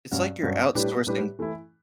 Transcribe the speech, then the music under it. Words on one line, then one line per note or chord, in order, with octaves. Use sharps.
It's like you're outsourcing
G2 F#3 C#4 F#4
G2 F#3 C#4 F#4
A2 G3 D4 G4 B4
A2 G3 D4 G4 B4
E3 A3 E4